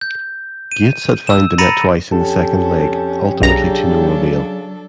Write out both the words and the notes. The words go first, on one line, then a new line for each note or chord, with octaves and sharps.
Gates had found the net twice in the second leg, ultimately to no avail.
G6
D#7
E6 E7
A#5 B5 A6 A#6 C#7 D#7
F2 C#4 G4 A4
B1 C#3 F#3 D4 A4 A#5